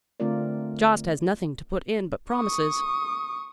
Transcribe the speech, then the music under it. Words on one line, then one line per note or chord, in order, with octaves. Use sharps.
Jost has nothing to put in but promises.
D3 A3 C4 F4 A#4 D5
C#6 D#6